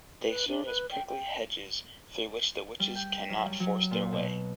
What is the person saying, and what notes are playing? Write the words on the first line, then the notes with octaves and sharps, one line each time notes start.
They serve as prickly hedges through which the witches cannot force their way.
B4
D4
B4
G5
G5
G3
G5
F#2
G3
F#3
A#2
B2